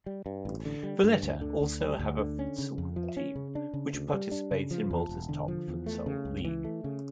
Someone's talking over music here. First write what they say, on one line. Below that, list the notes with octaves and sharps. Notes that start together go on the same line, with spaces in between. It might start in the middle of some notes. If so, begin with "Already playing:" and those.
Valletta also have a futsal team which participates in Malta's top futsal league.
G3
G2
A1
D3
G3
G2
D2
D3
D2
G3
D2
D3
C#4
C#3
F2
F3
C#4
C#3
D4
C#3
D2
G3
D4
C#3
F3
E2
E1
D3
F3
E2
A3
C#3
C#2
E3
A3
C#3